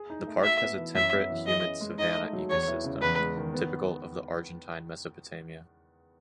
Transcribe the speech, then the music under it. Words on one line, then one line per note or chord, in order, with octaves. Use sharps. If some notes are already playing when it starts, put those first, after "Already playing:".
The park has a temperate-humid savanna ecosystem, typical of the Argentine Mesopotamia.
Already playing: G#4
D#4
A3
F#4 E5
B3
E3
F#2 E5
B3
E3
G#4 D#5
C#4
G#3
D#4 D#5
A3
F#3
E2 C#5
E3
C#3
E2 B4
G#3
D#3
B3